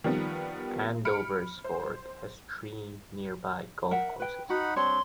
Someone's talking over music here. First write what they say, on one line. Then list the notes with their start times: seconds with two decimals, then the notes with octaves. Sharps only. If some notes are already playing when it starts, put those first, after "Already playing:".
Andoversford has three nearby golf courses.
0.04 D#3 F3 G3 B3
1.05 B5 F6 C#7 D7
1.64 C5
3.91 A#4 E5 F#5
4.20 B4 G5
4.50 D#4 F#4 F#5 B5
4.76 G3 C4 D4 C#5 C6